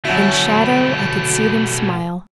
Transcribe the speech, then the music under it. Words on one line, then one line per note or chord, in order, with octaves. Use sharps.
In shadow, I could see them smile.
B2 D3 F#3 A3 C#4 E4 F#4